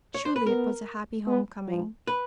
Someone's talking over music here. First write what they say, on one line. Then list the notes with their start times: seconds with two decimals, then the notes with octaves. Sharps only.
Truly it was a happy home coming.
0.14 C#5
0.25 C5
0.36 B4
0.46 B3 A#4
1.27 B3
1.68 F3
2.07 B4